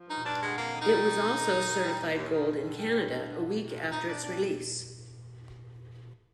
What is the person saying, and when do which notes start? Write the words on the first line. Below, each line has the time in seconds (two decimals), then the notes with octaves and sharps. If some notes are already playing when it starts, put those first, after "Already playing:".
It was also certified gold in Canada a week after its release.
Already playing: F3
0.09 G2 D#4
0.24 G2 D4
0.40 D3 G#3
0.56 F2 A#3
0.72 D#3
0.80 D#4
0.88 G3
1.04 F2
1.20 F2
1.36 D#3
1.51 D#2
1.68 D#3
1.83 G3
1.99 D#2
2.15 D#2
2.31 D#3
2.46 G2
2.62 D3
2.78 G3
2.94 G2
3.09 G2
3.25 D3
3.42 F2
3.57 C3
3.73 F3
3.89 F2 D#4
4.05 F2 D4
4.20 C3 D4